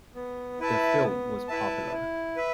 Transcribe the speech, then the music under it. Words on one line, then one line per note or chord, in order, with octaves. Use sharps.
The film was popular.
B3
E4 B4 E5 A5
B3
E4 B4 E5 A5
E4
B4 E5